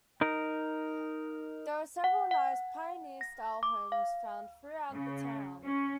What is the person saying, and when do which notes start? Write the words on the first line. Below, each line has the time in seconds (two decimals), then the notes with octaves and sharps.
There are several nice pioneer style homes found throughout the town.
0.21 D#4 A#4
2.04 F#5
2.31 F#5
3.21 A#6
3.63 D6
3.92 F5
4.92 C#3
5.64 C#4